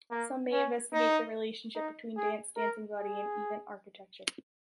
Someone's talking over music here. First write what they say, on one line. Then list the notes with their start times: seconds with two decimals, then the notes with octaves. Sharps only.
Some may investigate the relationship between dance, dancing body, and even architecture.
0.11 A#3
0.52 C#4
0.93 D#4
1.75 D#4
2.17 G#4
2.57 A#4
2.98 G#4